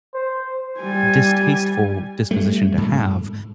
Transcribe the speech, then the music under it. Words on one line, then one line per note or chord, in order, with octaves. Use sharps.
distasteful disposition to have.
C5
G3 G#5
G3 A3
G#2